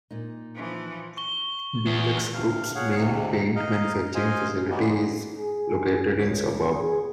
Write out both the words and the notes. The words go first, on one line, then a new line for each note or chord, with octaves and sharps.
DuluxGroup's main paint manufacturing facility is located in the suburb.
A#2 D#4
E3 F3
C#6 G7
E2
G2 C3 F5
G#4 C#5 F5 F#5
D2 G#2 C3
D#4 D#5 F5
C5 D#5 F5 G#5
A#2 C#3 E3 G#3 A#3 B3
G#4
C#2
G#4